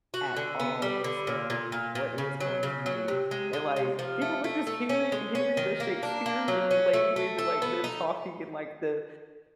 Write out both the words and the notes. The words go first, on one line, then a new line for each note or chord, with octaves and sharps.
at all, expecting what it was going to be. And like, people were just heari hearing the Shakespearean language, like, them talking in like the
F#4
D3
B3
G3
D3
A#2
A#2
A#2
A#2
C#3
F#3
C#3
F#3
C3
G#3
G#3
C3
F3
A3
A3
A3
C#4
G#3
C#4
D#3
A#3
D4
A#3
F#3
C#4
A3
A3
A4
B3
D#4